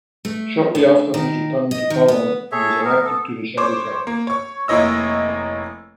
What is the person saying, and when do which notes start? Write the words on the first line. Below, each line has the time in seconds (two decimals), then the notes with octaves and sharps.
Shortly after his return to Parliament, he was elected to the shadow cabinet.
0.25 A3
0.75 D3
1.14 D#3
1.71 D#5
1.90 D#3
2.08 B3
2.52 G#4 A4 C#5 E5
2.85 B3 A#4
3.05 B3 A4
3.57 C5 C#5 D6
4.07 A#3
4.27 C#5 C#6
4.68 F1 A#3 E4 C#5 D#5 E6